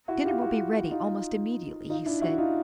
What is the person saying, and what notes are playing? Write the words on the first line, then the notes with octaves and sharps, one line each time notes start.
"Dinner will be ready almost immediately," he said.
E4 F#4
F4 G4
E4 F#4
D#4 F4
D#4 F4
D4 E4
E4 F#4
D#4 F4